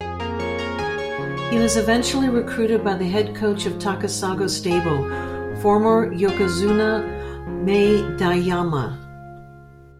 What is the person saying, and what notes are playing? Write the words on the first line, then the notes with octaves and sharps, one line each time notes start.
He was eventually recruited by the head coach of Takasago stable, former "yokozuna" Maedayama.
F2 G#4
A#3 A#4
F3 C#5 C#6
A#4 A#5
D#2 G#4 G#5
C#5 C#6
C#3 F3
C#5 C#6
C#2 C#5 C#6
C#3 F3
F2
C#3 F3
G#2
F3
G#2
D#3
F2 G#4 G#5
C#3 F3
G#2
F3
F2 F4 F5
F3 G#4 G#5
C#2
C#3 F3
G#5
C#2 F4 F5